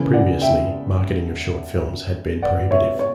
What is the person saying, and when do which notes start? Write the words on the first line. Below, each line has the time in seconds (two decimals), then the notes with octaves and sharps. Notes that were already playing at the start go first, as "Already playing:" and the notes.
Previously, marketing of short films had been prohibitive.
Already playing: C#3 E3 A#3
0.13 D5 F#5
0.42 E5 G5
2.42 D5 F#5
2.71 C#5 E5
2.99 C#5